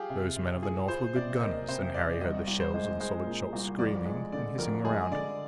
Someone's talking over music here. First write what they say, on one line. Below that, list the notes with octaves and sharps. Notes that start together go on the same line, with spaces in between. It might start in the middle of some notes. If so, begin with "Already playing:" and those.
Those men of the North were good gunners and Harry heard the shells and solid shot screaming and hissing around.
Already playing: F4 G4 G#4
C3
C3
F4 G#4
F4 C5
C3 D5
A#3 D#5
C3 C5
C3 D5
C2 D#5
C2
C5
G#3
G#3 C5
A#2
C2
F2 D5
G#3
D3 D5
F2 A#4
G#3 G#4
D3 D5